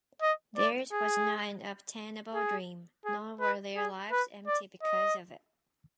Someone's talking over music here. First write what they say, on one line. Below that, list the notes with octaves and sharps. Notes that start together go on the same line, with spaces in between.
Theirs was not an unobtainable dream; nor were their lives empty because of it.
D#5
D5
G#4
G#4
G#4
B4
G#4
B4
D5
D#5